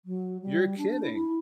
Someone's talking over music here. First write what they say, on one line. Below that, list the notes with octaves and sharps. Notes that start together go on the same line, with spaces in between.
You're kidding!
F#3
G3
D4
D4
E4
E4